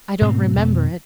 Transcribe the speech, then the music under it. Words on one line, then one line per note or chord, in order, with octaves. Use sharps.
I don't remember it.
G#2 B2 A3 C4
F2 B2